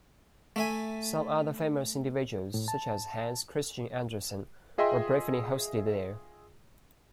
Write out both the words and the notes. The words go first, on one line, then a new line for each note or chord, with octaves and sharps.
Some other famous individuals such as Hans Christian Andersen were briefly hosted there.
A3 E5 G#5
A2
A5
F4 G#4 D#5 E5 G5 C6